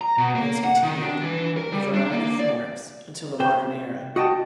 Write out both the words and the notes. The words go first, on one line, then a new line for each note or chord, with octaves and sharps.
It has continued, in a variety of forms, until the modern era.
A#5
B2
A#3
F#5
D#3
D4
E3
A#4
G3
D4
A#3
D5
C3 C5 G5
F#4 D#5 G5 A5